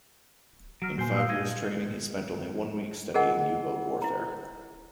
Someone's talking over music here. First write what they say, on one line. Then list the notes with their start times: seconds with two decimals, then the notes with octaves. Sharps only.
In five years' training he spent only one week studying U-boat warfare.
0.82 F#3 F6 A#6 D7
0.98 A#2 F#4 C5 G#5
1.15 F5 D#6 E6
1.29 D#5 G#6
3.14 G#4 A#4 D#5 F#5 G#5
4.02 E4 A#5